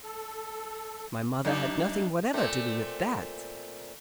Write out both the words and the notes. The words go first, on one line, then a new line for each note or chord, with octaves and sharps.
My mother had nothing whatever to do with that.
A4
F#2 D4 D#4
A#2 A3 C4